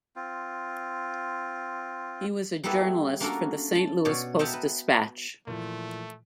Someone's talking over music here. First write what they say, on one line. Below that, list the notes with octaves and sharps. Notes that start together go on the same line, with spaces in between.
He was a journalist for the "Saint Louis Post-Dispatch".
C4 F4
G3 A#3 B3 E4 A4 B4
A#3 C#4 D4 F#4 A4 A#4
A5
B2 C#5 D5
D#5 E5 F#5 G5 A5 A#5
B4
A#2 E3 F3 A3